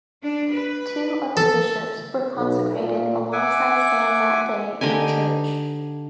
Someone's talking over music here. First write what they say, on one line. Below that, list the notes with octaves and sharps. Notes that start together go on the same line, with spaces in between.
Two other Bishops were consecrated alongside Sam that day in the church.
D4
B4
A4
B1
A#2
E5 F#5 G#5 D6
D3 D#4 G4 G#5